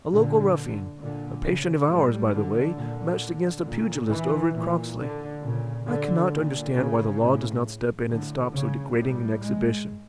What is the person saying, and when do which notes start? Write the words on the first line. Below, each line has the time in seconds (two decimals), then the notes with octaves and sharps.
A local ruffian, a patient of ours, by the way, matched against a pugilist over at Croxley. I cannot understand why the law does not step in and stop so degrading an exhibition.
0.10 A#2 D3
0.99 A#2 D3
1.43 C#3
1.87 A2 G3
2.32 D3
2.77 A#2 D3
3.64 A#2
4.08 E3
4.53 A#2 E3
4.97 D3
5.41 A#2 C#3
5.86 D3
6.31 A#2 D3
6.75 C#3
7.19 A2
8.08 A2 D3
8.52 C#3
8.95 A2 G3
9.40 G#3